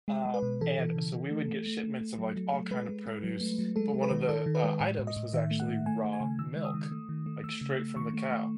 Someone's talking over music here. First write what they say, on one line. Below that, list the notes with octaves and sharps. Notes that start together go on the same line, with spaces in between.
uh, and so we would get shipments of, like, all kinds of produce, but one of the, uh, items was actually raw milk, like, straight from the cow.
G#3
G#3
B4
B2
E3 A4
E3
C#3
E3
A3
A3
A3
A3
A3
F#3
F#3
A3
G#3 B4
G#3
G#3
F#3
A3
F#3
G#3 A4
G#3
B4
D#3
D#3 A4
D#3
B4
G#3
A2
A2
D#5
A2
D#3 E5
A3
F#5
D#3
A3 G#5
A3
G#5
C#3
D#3 E6
G#3
D#6
D#3
A3
D#3
A3
A3 E6
C#3
E6
A3
D#3 C#6
A3
A3